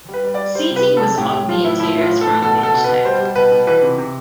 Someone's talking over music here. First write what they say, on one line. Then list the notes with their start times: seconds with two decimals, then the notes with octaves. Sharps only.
Seating was of the interior sprung bench type.
0.09 G3
0.14 B4
0.24 G3
0.34 D5
0.40 G3
0.55 G3 C5
0.71 C3
0.76 B4
0.87 G3
0.97 A4
1.02 C3
1.17 A2 G4
1.33 A2 G4
1.48 F3 F4
1.64 A2 E4
1.80 F3 E4
1.95 A2
2.01 F4
2.11 A2
2.21 A4
2.27 A2
2.42 B2 A4
2.58 B2
2.63 A4
2.74 B2
2.84 B2 B4
3.05 G3 C5
3.20 G3
3.36 B2 B4
3.51 B2
3.67 E3 B4
3.83 C3
3.98 C3